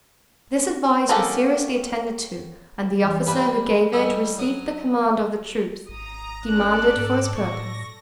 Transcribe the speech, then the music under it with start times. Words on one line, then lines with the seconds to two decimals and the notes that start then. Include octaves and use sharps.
This advice was seriously attended to, and the officer, who gave it, received the command of the troops, demanded for his purpose.
1.09 A#3 C#4 F#4 G4 A4
3.02 E2
3.27 G3 A#3 B4 G#5 A5 B5
3.93 A2 G3 A4 D#5 G#5
4.38 F#3 D#6
5.89 G#1 A#5 D#6
6.44 C#4 A4 D5 F#6
6.96 G#2
7.36 A2 C#6 A#6